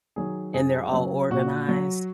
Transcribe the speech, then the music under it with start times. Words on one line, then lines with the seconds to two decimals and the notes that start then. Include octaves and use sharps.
and they're all organized.
0.16 D#3 F#3 G#4
0.54 F#2 G#4
0.92 C#3 F#3
1.30 A#2 F#4
1.68 F#3